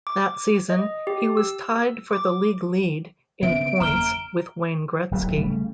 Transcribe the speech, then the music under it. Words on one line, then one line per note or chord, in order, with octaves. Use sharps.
That season, he was tied for the league lead in points with Wayne Gretzky.
D6
D#5
G4
E6
D6
C#3 B3 C4 E5 D7
F#1 E2 A#3 A#5 F6 G7
D1 D#2 A2 F#3
C#3 G3 A3